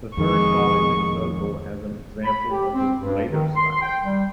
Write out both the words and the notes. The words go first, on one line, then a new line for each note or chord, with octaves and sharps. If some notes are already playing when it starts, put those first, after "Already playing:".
The third volume is notable as an example of his later style.
F2 D#3 G#3 C#6
B5
G4
C4
G2
D#3
C6
G5
G3